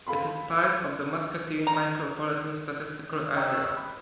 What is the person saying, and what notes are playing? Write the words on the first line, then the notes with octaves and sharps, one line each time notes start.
It is part of the Muscatine Micropolitan Statistical Area.
A4 F5 B5 C6
A#5
D#5 G5 A#5 C#6 D#6 E6
E6 F#6
B5